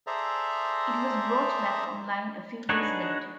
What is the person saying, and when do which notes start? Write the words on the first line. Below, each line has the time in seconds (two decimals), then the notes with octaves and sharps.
It was brought back online a few days later.
0.07 G#4 A4 C5 D5 E5 A#5
2.69 D4 D#4 F#4 G#4 B4 C#5